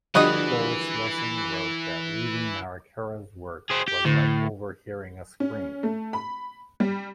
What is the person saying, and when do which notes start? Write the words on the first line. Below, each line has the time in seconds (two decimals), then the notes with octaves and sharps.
Doris Lessing wrote that reading Marechera's work was "like overhearing a scream".
0.15 D3 E3 F3 G3 B3 F#4 B4 D#5
3.70 C4 G#4
3.88 G4
4.05 A2 D3
5.40 C#4
5.83 A3
6.13 B5
6.80 G3